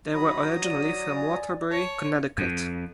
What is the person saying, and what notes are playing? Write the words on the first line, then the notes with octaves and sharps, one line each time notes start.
They were originally from Waterbury, Connecticut.
F#3 A#5 B5 D#6
D5 D#7
G#5
C#5 A5
F2